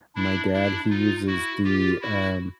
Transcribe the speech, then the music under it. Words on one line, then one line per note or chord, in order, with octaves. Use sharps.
my dad, he uses the, um,
D4 E4
D4 E4
D#4 F4
E4 F#4
F4 G4
E4 F#4